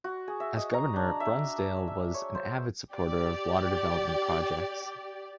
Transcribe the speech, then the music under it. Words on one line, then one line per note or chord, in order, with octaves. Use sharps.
As governor, Brunsdale was an avid supporter of water development projects.
F#4
G#4
E5
D#5
A#5
D4
E5
E6
E5
C#5
C5
G4 D5